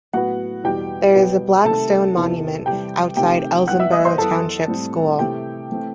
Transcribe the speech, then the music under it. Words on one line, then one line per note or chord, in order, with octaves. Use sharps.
There is a black stone monument outside the Elsinboro Township School.
A2 F#3 B3 F#4 F#5
E2 B2 G3 G4 G5
B2 G3 B3
C3 D#3 A3 C4 A4 A5
E2 C3 E3 B3
C3 E3 G3 G4 G5
C3 D#3 A3 C4 G4 G5
G2 E3 B3 F#5 F#6
E5 E6
D#5 D#6
C5 C6
F#2 E3 B3 A4 A5
A2 G3 C4
C3 E3 A3 C4 G4 G5
E3 A3 C4